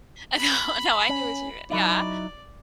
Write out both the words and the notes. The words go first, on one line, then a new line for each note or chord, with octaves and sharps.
Uh, no, no, I knew what you meant Yeah,
B5
C#4
F#3 D#4 E4 D5